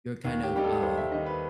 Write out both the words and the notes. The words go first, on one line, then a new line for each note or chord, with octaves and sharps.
you're kind of, uh,
D#2
G4
D#3 G3 D#4 G4
A4
D#2 C5
E5
D#3 G3 D#4 D#5
B4